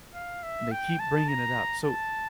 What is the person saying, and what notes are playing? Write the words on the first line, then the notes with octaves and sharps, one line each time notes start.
and they keep bringing it up. So,
F5
E5
G5
A5
A#5
A5